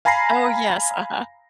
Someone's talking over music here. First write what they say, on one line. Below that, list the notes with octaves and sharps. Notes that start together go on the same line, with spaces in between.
Oh, yes, uh-huh.
F5 G#5 A#5 B5 A#6 C7